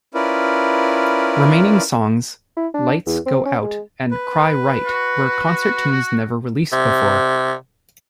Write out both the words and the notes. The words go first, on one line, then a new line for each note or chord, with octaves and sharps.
Remaining songs "Lights Go Out" and "Cry Right" were concert tunes never released before.
C#4 E4 F4 A#4 B4 D5
E4
D4
E2
C4
C#4
G#3
B4
F#4
C3